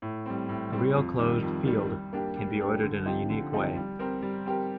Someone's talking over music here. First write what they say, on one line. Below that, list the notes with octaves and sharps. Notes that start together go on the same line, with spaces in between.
A real closed field can be ordered in a unique way.
A2
G3 C4
A2
G3 C4
F2
D#3 G3
F2
D#3 G3
G3
A#3 D4 G4
G3
A#3 D4 G4
D3
F3 C4 D#4 G4
D3
F3 C4 D#4 G4
G3
C4 G4 A#4
G3
C4 G4 A#4